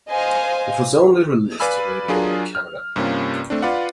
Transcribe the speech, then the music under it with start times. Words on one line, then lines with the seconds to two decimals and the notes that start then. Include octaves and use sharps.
It was only released to radio in Canada.
0.11 C5 D#5 F5 G#5
1.60 B4 D5 F5 G#5 B5 E6
2.08 F#3 D4 F4 G#4 A#4
2.55 F6
2.96 G2 C3 A#3 C#4 F4
3.50 A3 C4 D4
3.62 F4 B4 D5 F5 F#5